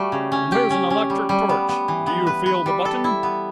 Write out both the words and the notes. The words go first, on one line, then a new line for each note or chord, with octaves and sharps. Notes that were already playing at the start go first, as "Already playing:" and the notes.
"And here's an electric torch. Do you feel the button?"
Already playing: G3 A3 F#4
C#3
C#4
G4
C#4
C#4
G3
G3
B3
B3
E3
B3
B4
B4
G3
A4
E4
B3